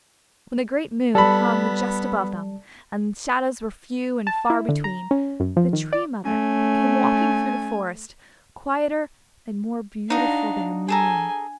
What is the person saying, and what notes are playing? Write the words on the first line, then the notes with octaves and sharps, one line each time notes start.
When the great moon hung just above them, and shadows were few and far between, the Tree Mother came walking through the Forest, quieter and more beautiful than the moon.
G3 B3 A4 D5 A5 B5
A5
E4
D3
A#5
C#4
F#2
F3
D#3
D5
A3 C#4 G#5
D4 D#4 F#4 D#5 F5
G#4 A4 G#5 A#5